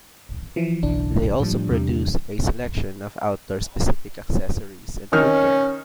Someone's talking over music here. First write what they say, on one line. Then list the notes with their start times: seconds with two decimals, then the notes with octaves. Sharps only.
They also produce a selection of outdoor specific accessories and footwear.
0.56 E3 F3
0.83 F#1 B1 E3 D4
1.40 A2 F3 G3
1.71 E2 C3 G3
5.13 D#3 C#4 F6